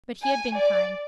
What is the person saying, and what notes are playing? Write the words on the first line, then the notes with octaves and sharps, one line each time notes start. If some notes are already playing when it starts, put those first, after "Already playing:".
But he had been kind.
G#5
D5